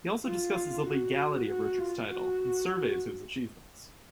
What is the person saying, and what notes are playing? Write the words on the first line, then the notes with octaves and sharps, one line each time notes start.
He also discusses the legality of Richard's title and surveys his achievements.
F4
F#4
F#4
F4
F#4